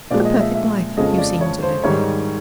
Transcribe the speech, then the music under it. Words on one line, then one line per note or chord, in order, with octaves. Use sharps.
'What a perfect life you seem to live here!
A#2 F3 G#3 D5
D#5
E5
E5
F2 C#3 F3 G#3 C#4 D#5
D5
C#5
C5
G#2 D#3 G3 C#5